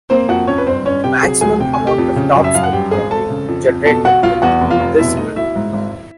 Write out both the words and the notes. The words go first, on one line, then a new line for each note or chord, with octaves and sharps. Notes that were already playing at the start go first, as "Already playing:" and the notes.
The maximum amount of topspin can be generated with this grip.
A#3 C4 C5
F2 F#4 F#5
F2 C#4 C#5
B4
G1 C4 C5
G1 C#4 C#5
C3 G4 G5
F#3 G#4 G#5
D2 G#4 G#5
C3 G5
G#5
A3
G4 G5
F2
C#3
F#2
E5
F#2 F5
F#5
G2 G4 G5
G#1 G#4 G#5
G#1 A4 A5
C#3
F2
F2
B2 A4 A5
B1 F#4 F#5
B1 F4 F5
E2 F#4 F#5
F1
F4 F5
F1
B2 E4 E5
A3 D#4 D#5
B1 E4 E5
G#2
G#1